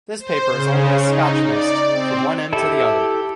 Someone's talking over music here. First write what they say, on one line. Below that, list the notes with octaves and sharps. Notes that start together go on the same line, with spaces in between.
This paper is only a Scotch mist from one end to the other.
C5
C#3
D#4
D5
C4
E4 G4 A4 E5